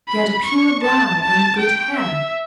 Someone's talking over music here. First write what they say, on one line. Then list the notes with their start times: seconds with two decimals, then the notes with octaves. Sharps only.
She had a pure brow and good hair.
0.08 B5
0.45 C#6
0.84 A5
1.21 A5
1.58 G5
1.96 E5